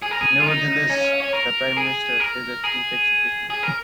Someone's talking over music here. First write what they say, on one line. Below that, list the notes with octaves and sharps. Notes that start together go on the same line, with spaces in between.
Nevertheless, the Prime Minister is the chief executive.
G#4
A#4
G#4
F4
D#4
C#4
C#5
A#4
G#4
A#4
G#4
G#4
A#4